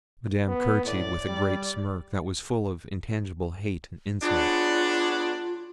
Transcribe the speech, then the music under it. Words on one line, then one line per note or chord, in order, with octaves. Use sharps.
Madame courtesied with a great smirk, that was full of intangible hate and insult.
B3
A2 D5
G3
C#3 B3 D4 F4